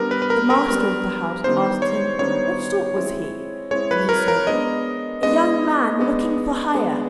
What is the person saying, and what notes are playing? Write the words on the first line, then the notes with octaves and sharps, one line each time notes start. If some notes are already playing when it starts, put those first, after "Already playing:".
The master of the house asked him what sort was he, and he said: "A young man looking for hire."
Already playing: G3 B3 D4 A#4
B4
B4
A#4
A#4
G3 B3 D4 A#4
D#3 G3 B3 D4 C5
C#5
D#3 G3 B3 D4 C#5
G#3 C4 E4
G#3 C4 E4 C#5
B4
A#4
A#4
G#3 B3 D4 D#5
G#3 B3 D4 D#5
G#3 B3 D4
G#3 B3 D4